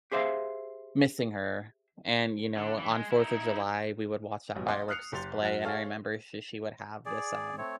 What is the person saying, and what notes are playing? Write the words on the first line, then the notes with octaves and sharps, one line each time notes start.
missing her. And, you know, on fourth of July, we would watch that fireworks display, and I remember she she would have this, um,
G4 G#4 C5 E5 F5
D3
E3
G#3
D#4 E4
A1 G2 B2
D#5 F5 F#5 C6 D6 D#6
D#6 F6 F#6 C7 C#7 F7
F#1 G4 C6 A6 F7
F#2 F#5
G#4 A4 C#5 F5 F6
G#4 D5
A3 C4 C#5